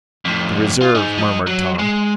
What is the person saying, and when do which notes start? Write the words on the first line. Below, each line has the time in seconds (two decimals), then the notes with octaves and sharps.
"The reserve," murmured Tom.
0.25 F2 A2
0.81 F4
0.95 D#4 G#4
1.18 F3 D#5
1.47 F#3
1.79 G#3